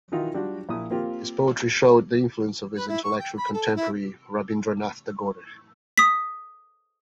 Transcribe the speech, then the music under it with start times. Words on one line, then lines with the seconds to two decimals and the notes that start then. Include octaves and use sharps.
His poetry showed the influence of his intellectual contemporary Rabindranath Tagore.
0.12 D#3 E3 D#4 F4 F#4
0.34 G3 D4 F4 F#4
0.69 A#1 A#2 E4 D#6
0.90 A#3 C4 F4 G4
2.76 B4
2.89 E4
3.04 C#6
3.19 G5
3.37 B5
3.54 A4
3.76 E4
5.98 D#6 B6